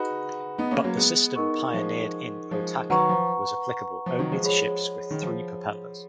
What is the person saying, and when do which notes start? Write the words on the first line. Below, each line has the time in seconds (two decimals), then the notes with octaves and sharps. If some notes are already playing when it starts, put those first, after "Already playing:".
But the system pioneered in "Otaki" was applicable only to ships with three propellers.
Already playing: D#4 F#4 G#4 B4 F#5 B5
0.58 B3 D#4
0.71 A#3 C#4
0.84 F#3 A#3
0.96 G#3 B3
1.36 D#4 A#4 D#5 F#5 C#6
1.74 F3 G#3
2.51 F3 G#3
2.90 D#3 F#3 B4 F#5 A#5 C#6
3.09 F3
4.06 F3
4.19 D#3 F#3
4.32 F3 G#3
4.44 G#4 C#5 F#5 B5
5.11 D#3
5.22 F3